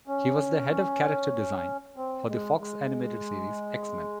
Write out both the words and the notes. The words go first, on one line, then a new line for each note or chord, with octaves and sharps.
He was the head of character design for the Fox animated series "X-Men".
C#4
C4
G#3
G#3